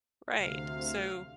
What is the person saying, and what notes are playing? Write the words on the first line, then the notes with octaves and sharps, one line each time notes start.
Right, so
D2 C3 F5